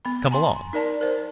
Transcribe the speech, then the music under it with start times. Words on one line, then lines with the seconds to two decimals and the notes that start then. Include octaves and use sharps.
"Come along."
0.05 B3 B5
0.31 G#5 A#5 C6
0.73 D#4 A#4 D5 A5
1.01 A#4 C5